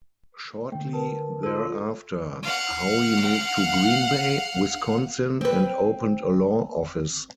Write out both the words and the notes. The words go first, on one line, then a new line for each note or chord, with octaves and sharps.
Shortly thereafter, Howe moved to Green Bay, Wisconsin, and opened a law office.
D3 A3 G5
A#4 B4 A5
F4 A4
F5 F#5
C4 B4